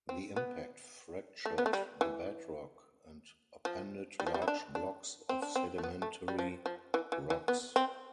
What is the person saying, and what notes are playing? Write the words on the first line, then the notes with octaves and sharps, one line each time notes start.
The impact fractured the bedrock, and upended large blocks of sedimentary rocks.
C4
B3
A3
B3
A3
G3
E3
F3
G3
F3
G3
E4
D4
D4
C4
D4
C4
A3
B3
A3
G3
F3
F3
E3
E3
E3
B3
C4